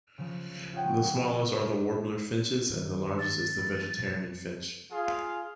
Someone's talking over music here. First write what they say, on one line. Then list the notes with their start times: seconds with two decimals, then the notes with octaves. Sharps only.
The smallest are the warbler-finches and the largest is the vegetarian finch.
0.18 C#3 F3
0.73 F4 G#4 C#5 F#5 G5
2.70 G#2 D#3
3.19 A6
3.58 G#2 E3 G3
3.98 F2 B2 F3
4.91 F4 G#4 F5